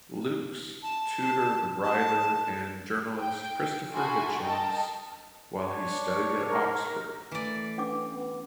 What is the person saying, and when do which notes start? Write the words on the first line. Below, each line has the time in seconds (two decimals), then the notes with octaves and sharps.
Lukes tutored writer and journalist Christopher Hitchens while he studied at Oxford.
0.83 A5
1.83 A5
3.18 G5
3.92 E4 F#4 A4 G#5 C6
4.40 A4 A#4 D#5 G5 A5
5.60 D4 C#5
6.48 A#4
7.32 E3 A3 D5
7.78 C#4 D4 B4 D6
8.13 B3